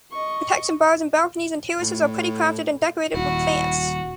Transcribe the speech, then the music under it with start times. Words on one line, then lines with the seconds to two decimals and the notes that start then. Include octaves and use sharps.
The protection bars in balconies and terraces are pretty crafted and decorated with plants.
0.12 D#5 C#6
1.81 A2
3.14 D#1 E4 F#4